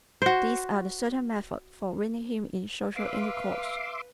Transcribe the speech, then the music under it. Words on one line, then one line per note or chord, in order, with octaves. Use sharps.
These are the certain methods for winning him in social intercourse.
F#4 C5
B4 E5 F5 C6 D6